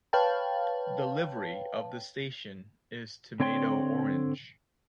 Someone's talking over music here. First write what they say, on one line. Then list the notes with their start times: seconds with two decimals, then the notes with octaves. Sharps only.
The livery of the station is tomato orange.
0.13 B4 C#5 F5 G5 A5
3.40 D3 C4 C#5 G5 C6